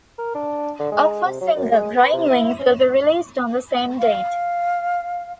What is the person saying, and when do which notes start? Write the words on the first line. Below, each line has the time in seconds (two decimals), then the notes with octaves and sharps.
A first single, "Growing Wings", will be released on the same date.
0.18 A#4
0.35 D4
0.79 D3
0.92 G#3
1.25 C3
1.41 F#3
1.56 F#2
1.72 G#3
1.97 B4
2.13 C3
2.30 E4
2.59 C#4
3.99 F5